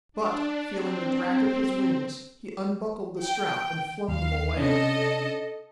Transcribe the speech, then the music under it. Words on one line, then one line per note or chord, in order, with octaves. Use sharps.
But, feeling the drag of his wings, he unbuckled the strap and flung them away.
D4
C4
G5
D#2 F5
C3 C#4 D4 A4 D#5